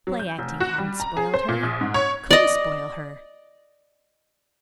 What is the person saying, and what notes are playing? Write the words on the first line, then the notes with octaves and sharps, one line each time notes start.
Play-acting hadn't spoiled her--couldn't spoil her.
F#3
G6
F1
F#4
G3
A#5
G#4
C5
A#2
A#1
G#2
C#5
D5 D#5